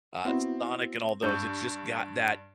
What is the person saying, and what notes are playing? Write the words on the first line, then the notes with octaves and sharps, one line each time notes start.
uh, Sonic and all those, it's just got that
B3 C4 E4 F#4
G2 C#6 E6 G6